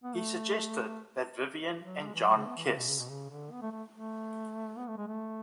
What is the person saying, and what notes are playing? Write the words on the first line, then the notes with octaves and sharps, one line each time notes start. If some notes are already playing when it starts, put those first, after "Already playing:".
He suggested that Vivian and John kiss.
B3
A3
F#3
G#3
E3
F#3
C#3
B3
E3
D3
B2
C#3
B2
C#3
D3
B3
A3
A3
A3
B3
A3
G#3
A3